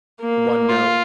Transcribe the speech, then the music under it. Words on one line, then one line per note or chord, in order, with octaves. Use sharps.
one note,
A#3
F4